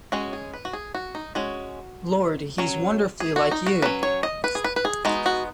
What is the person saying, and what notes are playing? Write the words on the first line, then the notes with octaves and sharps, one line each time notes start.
Lord, he's wonderfully like you!
G#3 C#4 F#4
G#4
B4
F#4
G#4
F#4
D#4
G#3 C#4 F#4
F#3 C#4
G#4
F#4
D#4
F#4
F#3 C#4 B4
C#5
D#5
B4
G#4
B4
B4
G#4
G#3 B3 D#4 F#4
F#4